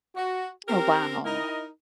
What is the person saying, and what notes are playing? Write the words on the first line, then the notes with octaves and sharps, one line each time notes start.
Oh, wow.
F#4
C4 G4 A#4
D#4 E4 A#4 D#5